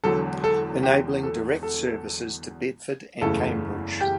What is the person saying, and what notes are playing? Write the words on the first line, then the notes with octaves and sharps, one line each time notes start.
Enabling direct services to Bedford and Cambridge.
E1 E2 D3 F#3 A4
A4
G4
A4
A4
F#1 E2 C#3 E3 A3 A4
G4